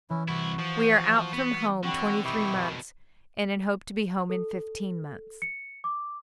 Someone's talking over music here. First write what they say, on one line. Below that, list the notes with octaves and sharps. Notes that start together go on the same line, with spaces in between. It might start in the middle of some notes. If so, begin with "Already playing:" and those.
We are out from home twenty-three months, and in hope to be home in fifteen months.
E3 C#4 E4
C2 E4 F#4
F3
B3
D3 C4 F#4 G5 B5
B2 D#3 E4 G4 C#6
A4
C#7
D6